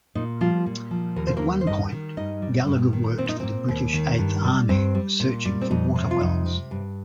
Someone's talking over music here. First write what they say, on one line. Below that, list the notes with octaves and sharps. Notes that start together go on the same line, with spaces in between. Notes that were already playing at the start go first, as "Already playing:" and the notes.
At one point, Gallagher worked for the British Eighth Army searching for water wells.
A#2 D#4
F3 G3 F4
A#2
F3
D#2 A#4
C5
A#3 A#4
D#3
C5
G2 D#4 D#5
D#3
G2 D#4 D#5
G3
G2
D#3
A#2 C4
D#4
A#3 C4
D#2
D#3
G2
G3
G2 C4
G3
A#2
G3
C4
F2 D#4
C3
F4
F2 D#4
C3
G2